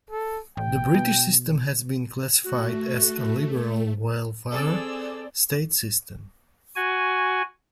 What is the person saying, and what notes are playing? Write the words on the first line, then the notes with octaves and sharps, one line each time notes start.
The British system has been classified as a liberal welfare state system.
A4
A1 G5
B2
A3 F#4
C4 G#4 A4 D5 E6
F#4 G#5